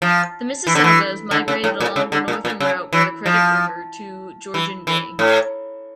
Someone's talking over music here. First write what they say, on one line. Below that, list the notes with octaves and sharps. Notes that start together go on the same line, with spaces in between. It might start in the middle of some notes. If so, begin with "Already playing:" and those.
The Mississaugas migrated along a northern route by the Credit River, to Georgian Bay.
F3
E3
D3
E3
D3
C#3
A2
A#2
C#3
D3
A#2
A#2
C#3
E3
F3
E3
E3
A2